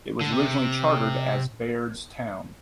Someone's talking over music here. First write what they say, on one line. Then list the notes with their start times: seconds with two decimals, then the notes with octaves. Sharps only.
It was originally chartered as Baird's Town.
0.21 D3
0.33 C3